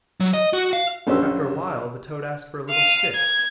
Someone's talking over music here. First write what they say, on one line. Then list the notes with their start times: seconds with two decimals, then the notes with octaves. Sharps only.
After a while the toad asked for a little stick.
0.20 F#3
0.34 D#5
0.53 F#4
0.73 F5
1.07 A#1 F#2 C#4 F#4 C5 E6
2.70 F5 D#7
3.14 G#6